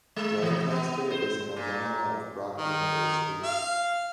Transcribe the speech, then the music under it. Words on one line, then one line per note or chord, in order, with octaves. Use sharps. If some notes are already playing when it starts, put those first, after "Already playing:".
Lancaster is an alumna of Brock University.
G#3
E3
B3
C5
A#2
D#3
F5